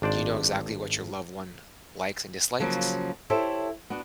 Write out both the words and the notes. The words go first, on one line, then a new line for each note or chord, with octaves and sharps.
do you know exactly what your loved one likes and dislikes?
G#1 D4 C5 D5
C#3 F3 F#3 A#3
E4 G4 A4 C5 C#5
B3 D4 F#4